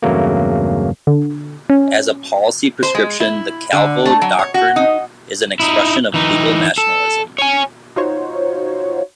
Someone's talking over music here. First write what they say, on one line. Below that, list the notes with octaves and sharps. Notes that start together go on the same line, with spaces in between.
As a policy prescription, the Calvo Doctrine is an expression of legal nationalism.
E2 G2 C#3 F#3 A3 A#3
D3
C#4
C5
G#3
E4
D3
A3
F#3
C#5
F#4
D#4
D#4 E4
E3 D#4
A4
C#5 G#5
D#4 F4 F#4 C5 C#5